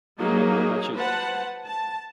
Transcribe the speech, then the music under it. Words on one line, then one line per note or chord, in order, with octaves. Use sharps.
you know? But what about you?
F#3 A#3 D#4 G#4
B4 C5 F#5 A5
A5